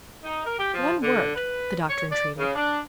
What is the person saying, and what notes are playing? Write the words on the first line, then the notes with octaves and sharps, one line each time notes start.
"One word," the Doctor entreated.
D#4
A#4
G4
F3
D3
B4
C#5
D5
C#3
D4